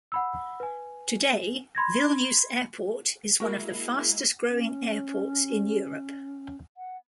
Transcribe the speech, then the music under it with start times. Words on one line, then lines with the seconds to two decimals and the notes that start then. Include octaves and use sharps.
Today, Vilnius Airport is one of the fastest-growing airports in Europe.
0.12 F#5 B5 E6
0.60 B4 G#5
1.75 B5 C6 G#6 A#6
3.40 G#3 A#3 E4 F#4 A#4
4.50 C#4
6.77 F#5